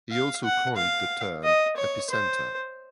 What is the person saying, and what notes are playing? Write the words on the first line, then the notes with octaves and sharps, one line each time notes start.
He also coined the term "epicentre".
F5
F#5
F5
D#5
C#5
C5